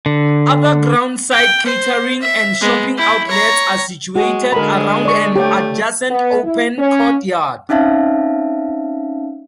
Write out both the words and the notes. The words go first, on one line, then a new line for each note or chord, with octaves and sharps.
Other ground side catering and shopping outlets are situated around an adjacent open courtyard.
D3
G5
C5
E5
G#3 B3
E4 G5
C#5 A#5
G#3 F#4
D3 G#3 A#4 B5
D5 C#6
A3 G4 C#5 G5
B3
E4
C#4
C4 C#4 D#4 E5 F5 A5